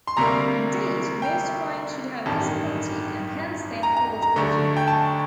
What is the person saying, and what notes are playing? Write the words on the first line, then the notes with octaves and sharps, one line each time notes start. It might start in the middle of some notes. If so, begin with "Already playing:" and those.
Indeed, most primes should have this property, and hence they are called ordinary.
C6
D2 C3 G3 A#3 A#5
G5
A1 G2 D#3 A5
A#5
A#5
A#5
D2 D3 A3
G5
A5